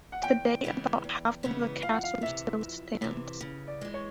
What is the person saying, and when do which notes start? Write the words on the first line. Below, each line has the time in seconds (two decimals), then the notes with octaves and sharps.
Today about half of the castle still stands.
0.12 F#5
0.23 E2 G5
0.64 C#3 E3 G#3 B3
1.04 E2
1.43 C#3 E3 G#3 B3
1.82 F2 F5
1.93 F#5
2.03 F5
2.22 C3 E3 E5
2.61 F2
3.02 C3 E3
3.41 C#3
3.68 D5
3.81 E3 G#3
3.94 C#5